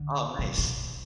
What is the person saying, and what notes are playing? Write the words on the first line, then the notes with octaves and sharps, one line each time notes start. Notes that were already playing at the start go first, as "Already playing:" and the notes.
Oh, nice.
Already playing: D3
C3
B2